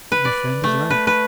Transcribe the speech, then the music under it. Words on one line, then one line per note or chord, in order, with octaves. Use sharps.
The friend is right.
B4
D5
A3
B4
B4